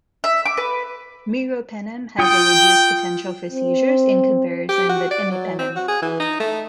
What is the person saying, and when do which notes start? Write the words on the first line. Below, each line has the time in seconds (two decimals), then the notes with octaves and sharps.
Meropenem has a reduced potential for seizures in comparison with imipenem.
0.24 E5
0.46 D6
0.57 B4
2.19 F4 F#5 G5 D#6
3.51 C4
4.69 G4
4.89 F#4
5.11 D5
5.31 F#3
5.59 C4
5.76 F#4
5.88 G#4
6.02 E3
6.20 D#4
6.40 A3